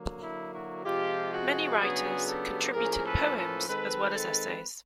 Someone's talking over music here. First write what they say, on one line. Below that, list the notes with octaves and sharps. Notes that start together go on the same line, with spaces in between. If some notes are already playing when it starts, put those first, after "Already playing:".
Many writers contributed poems as well as essays.
Already playing: D3 F#3 A#3
E4
E4 F#4
C3 F3 G#3 F4 G4
F#4 G#4
C#3 F#3 B3 D4 F#4 G#4
G4 A4
A2 F3 A#3 C#4 G#4 A#4
A4 B4
A4 B4
D#3 G#3 C4 A4 B4
A4 B4